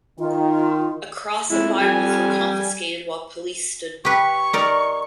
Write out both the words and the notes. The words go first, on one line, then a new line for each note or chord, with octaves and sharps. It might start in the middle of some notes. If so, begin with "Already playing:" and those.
A cross and Bibles were confiscated while Police stood by.
D#3 F4
F2 G#3 E4
G3 G#5
G4 B4 C#6
D#4 A#4 D5